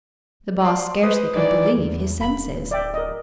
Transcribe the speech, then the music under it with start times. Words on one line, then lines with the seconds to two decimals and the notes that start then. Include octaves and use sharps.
The Boss scarcely could believe his senses.
0.64 D5 C6 D6
1.03 B4 C5 D#6
1.36 D#3 E3 D5
1.78 E2
2.21 D1 B5
2.71 D5 E5 G5
2.94 A#4 D#5